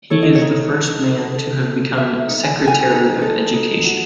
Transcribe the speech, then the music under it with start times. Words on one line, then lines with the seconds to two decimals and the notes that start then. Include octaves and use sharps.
He is the first man to have become Secretary of Education.
0.10 A4 C#5
0.23 D#5
0.35 C#5
0.42 D#4
0.72 A4
1.03 D#4
1.35 A4
1.66 D#4
1.97 A4 E5
2.28 D#4
2.43 G#5
2.59 A4
2.68 G#5
2.91 D#4
3.22 A4
3.54 D#4
3.85 F#4